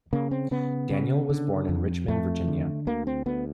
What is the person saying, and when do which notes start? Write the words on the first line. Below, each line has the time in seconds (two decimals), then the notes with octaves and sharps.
Daniel was born in Richmond, Virginia.
0.13 C#3 A#3
0.31 C4
0.51 C#3 B3
0.90 C#3
1.30 D3
1.69 F2
2.08 F2 A3
2.48 D3
2.87 D2 A#3
3.07 C4
3.26 D2 B3